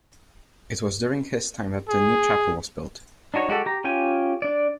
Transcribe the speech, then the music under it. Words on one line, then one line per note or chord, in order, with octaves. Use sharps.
It was during his time that the new chapel was built.
G#4
D4 D#4 F#4 C#5
G#3 F#4 G4 A4 F#5
G4 A#5
C#4 F4 G4 G5 G#5
D4 D5